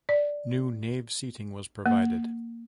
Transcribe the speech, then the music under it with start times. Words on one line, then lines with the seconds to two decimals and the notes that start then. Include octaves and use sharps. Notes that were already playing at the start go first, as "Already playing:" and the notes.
New nave seating was provided.
0.09 D5
1.86 A#3